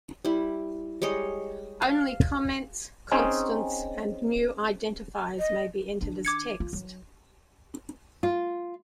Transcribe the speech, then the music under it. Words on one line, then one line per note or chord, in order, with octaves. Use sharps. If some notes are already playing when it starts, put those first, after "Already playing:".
Only comments, constants, and new identifiers may be entered as text.
G3 E4
G3 G#3 C#5 D#5
F5
C4 C#4 D#4 G#4
D#5
D#3 D4
D6 G#6 C#7
F4
F#3
F4